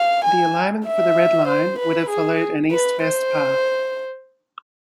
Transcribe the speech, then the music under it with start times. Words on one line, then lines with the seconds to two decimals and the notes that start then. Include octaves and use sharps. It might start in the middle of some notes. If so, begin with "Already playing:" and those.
The alignment for the Red Line would have followed an east-west path.
Already playing: F5
0.25 G#5
0.86 E5
1.48 C5
1.79 B4
2.10 G#4
2.72 B4
3.02 C5